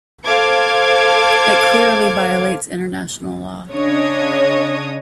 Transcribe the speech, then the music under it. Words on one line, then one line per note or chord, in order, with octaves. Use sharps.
It clearly violates International Law.
A4 C5 F5 D6 G#6
C#3 D4 C#5 D#5 D#6